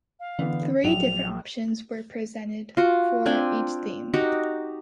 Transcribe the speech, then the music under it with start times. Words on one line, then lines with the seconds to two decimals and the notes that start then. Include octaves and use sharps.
Three different options were presented for each theme.
0.20 F5
0.39 D3 E3 B3
0.84 A#1 F#3 F7
2.77 F4 F#4
3.26 C4 D4 G5 G#5
4.14 D#4 F#4 G4